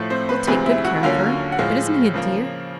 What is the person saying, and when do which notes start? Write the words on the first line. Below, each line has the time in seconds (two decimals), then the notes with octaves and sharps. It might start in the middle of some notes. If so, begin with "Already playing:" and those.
We'll take good care of her. But isn't he a dear?
Already playing: A2 F3 A3
0.10 C4 C5
0.29 B4
0.47 D2 C3 F3 G#3 C4 B4
0.66 E4 E5
0.85 F#4 F#5
1.03 D#2 D3 F#3 A#3 C#4 F4 F5
1.52 F#5
1.59 A2 F3 G#3 F4 F5
2.14 C#3 F3 A#3